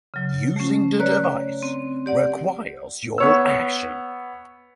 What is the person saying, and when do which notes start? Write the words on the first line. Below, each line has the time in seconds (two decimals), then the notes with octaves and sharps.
Using the device requires your action.
0.14 C#3 F#3
0.56 A3 C#4
1.00 B4 C#5 D5 A#5 F#6
1.63 C4
2.06 G4 D5 F#5
3.18 B3 C#5 E6